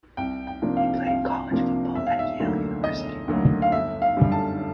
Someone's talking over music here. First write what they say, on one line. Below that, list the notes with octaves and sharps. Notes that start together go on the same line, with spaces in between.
He played college football at Yale University.
C2 G5
G5
C3 F3 A#3 D4
F5
C2 F5
C3 F3 A#3 D4
E1 E5
F5
E5
D2 D3 F#3 A#3
E1 D#5
D2 D3 F#3 A#3
F5
G1 E5
F5
F#2 D3 G3
A5